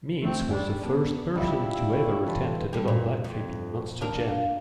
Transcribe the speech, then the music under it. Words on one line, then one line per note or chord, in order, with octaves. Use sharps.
Meents was the first person to ever attempt a double backflip in Monster Jam.
A3 C4
G3 D4 G#5
B3 D4
G3 E4 F4
C#5 C6
E3 A4 B4 C6
D3 G3
A#2
F2
D#2 D4 A#4
A#3